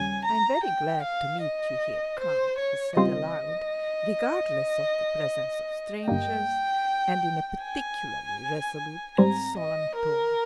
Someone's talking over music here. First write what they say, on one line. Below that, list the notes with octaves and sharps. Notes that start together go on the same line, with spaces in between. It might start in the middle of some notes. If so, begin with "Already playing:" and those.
"I am very glad to meet you here, Count," he said aloud, regardless of the presence of strangers and in a particularly resolute and solemn tone.
Already playing: D#2 C#3 G3 C#4 G#5
A#5
G5
F5
D#5
C5
C#5
C#3 G3 C4 F4 C5 D#5
G1 G2 G3 A#3 G5
G#5
G#2 G3 C4 A#5
D#5
A#4